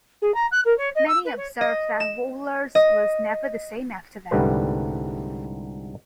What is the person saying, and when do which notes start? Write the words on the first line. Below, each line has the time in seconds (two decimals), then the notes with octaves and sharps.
Many observe that Wohlers was never the same after that.
0.22 G#4
0.34 A#5
0.51 F#6
0.65 A#4
0.78 C#5
0.95 D#5
1.07 E6
1.25 B4
1.37 C#5
1.61 D#5
2.00 E7
2.75 D#5
4.31 C2 G#2 D3 G3 A3 B4